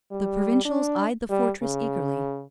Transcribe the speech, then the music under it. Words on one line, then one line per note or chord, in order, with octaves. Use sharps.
The Provincials eyed the fortress eagerly.
G3
D4
G3
C#3